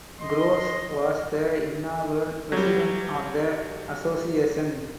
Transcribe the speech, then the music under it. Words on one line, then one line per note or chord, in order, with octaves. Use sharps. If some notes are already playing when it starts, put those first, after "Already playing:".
Groves was the inaugural president of the association.
D#5 C6
F#3 G3